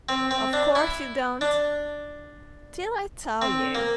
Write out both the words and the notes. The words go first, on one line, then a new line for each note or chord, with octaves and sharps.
'Of course you don't--till I tell you.
C4
C4
D4
E4
D4
C4
A#3